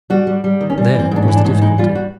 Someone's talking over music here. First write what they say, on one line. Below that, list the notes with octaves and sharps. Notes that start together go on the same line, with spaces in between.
There was the difficulty.
G3 F#4
G3
G3
D#3
C#4
G3 C4
E3 C4
G#2 D4
C#4
E3
D4
G#2 C#4
E3 D#4
G3 F4
F#4